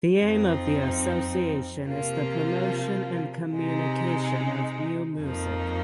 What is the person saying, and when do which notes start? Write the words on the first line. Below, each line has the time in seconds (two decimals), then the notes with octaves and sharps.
The aim of the association is the promotion and communication of Neue Musik.
0.18 F2 F3 C4 D#4
1.85 C3 F3 A#3 F4
3.52 C3 G#3 D#4
5.19 F2 F3 A#3 D#4